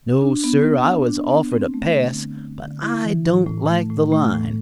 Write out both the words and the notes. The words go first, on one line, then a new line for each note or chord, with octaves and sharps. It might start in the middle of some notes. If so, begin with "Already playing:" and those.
No, sir; I was offered a pass, but I don't like the line.
D4
B3
B3
D4
D4
B3
C4
A3
D3
D3
D3
D3
E4
E3
A2
A2
A3
A2
A3
A2